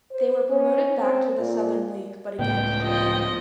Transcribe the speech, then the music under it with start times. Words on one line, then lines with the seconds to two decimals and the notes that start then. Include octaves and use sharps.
They were promoted back to the Southern League, but again struggled.
0.12 C5
0.50 C#4
0.98 C4
1.39 A#2
2.39 C#2 A2 B3 G5
2.83 F3 D#5